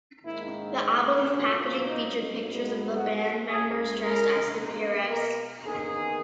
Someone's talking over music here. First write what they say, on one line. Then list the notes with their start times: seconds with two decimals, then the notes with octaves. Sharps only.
The album's packaging featured pictures of the band members dressed as superheroes.
0.24 G#2 D#3 A#3 E4
1.32 A#2 F#3 A#3 C#4
1.86 D#4
2.41 G#2 F#3 B3
2.95 F#4
3.48 C#2 C#3 G#3 G#4
4.03 A#4
4.57 B2 A#3
5.11 A#4
5.65 E2 D#3 A#3 G#4